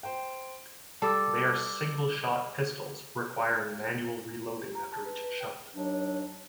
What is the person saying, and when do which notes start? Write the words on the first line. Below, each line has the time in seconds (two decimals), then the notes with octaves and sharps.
They are single shot pistols, requiring manual reloading after each shot.
0.03 C5 G5
1.02 G3 A4 A5 D6 E6
4.62 G4
4.75 A#5
4.93 A5
5.06 B4
5.24 B4
5.40 G5
5.75 D#2 F#3 D4